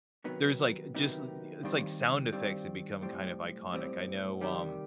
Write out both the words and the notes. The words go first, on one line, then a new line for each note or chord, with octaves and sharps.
There's, like, uh, just, eh it's like sound effects that become kind of iconic. I know, um,
C3 D#3 F#3 B3 D#4
C3 D#3 F#3 B3 D#4
G2 D#3 G3 C4
G2 D#3 G3 C4
B1 A2 G3 C4
B1 A2 G3 C4
C3 D#3 G3